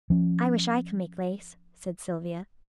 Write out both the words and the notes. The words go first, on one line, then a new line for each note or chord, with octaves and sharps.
"I wish I could make lace," said Sylvia.
F3 C#4